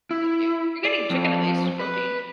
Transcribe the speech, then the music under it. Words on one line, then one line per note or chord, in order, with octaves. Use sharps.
Eh u You're getting chicken, at least, protein.
E4
D5
F2
B4